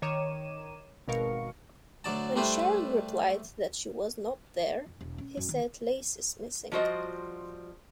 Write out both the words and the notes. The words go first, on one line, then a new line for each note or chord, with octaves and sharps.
When Sharon replied that she was not there, he said, Laci's missing.
D#3 C#5 A#5 D6 D#7 E7
G#1 B2 A#4 F5 C#6 C#7
D2 F#3 D5 A5
G3 A3 D4 E4 B4 C5
F2
E1
C#4
F#2
D#3
F3 G3 F4 F#4 C5 D#5